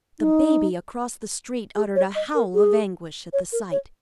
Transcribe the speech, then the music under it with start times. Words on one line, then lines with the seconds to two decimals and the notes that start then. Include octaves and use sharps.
The baby across the street uttered a howl of anguish at the sight.
0.20 D#4
1.76 G#4
1.96 C#5
2.15 D#5
2.35 A#4
2.54 G#4
3.33 C#5
3.52 A#4
3.72 C#5